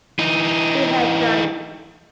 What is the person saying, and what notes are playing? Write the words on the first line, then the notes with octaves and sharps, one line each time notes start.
He had done it.
E3 D#4